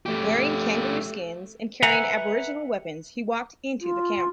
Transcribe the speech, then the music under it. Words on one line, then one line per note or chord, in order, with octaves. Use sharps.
Wearing kangaroo skins and carrying Aboriginal weapons, he walked into the camp.
A3 G4
B4 E5 F#5 G#5 A#5
F4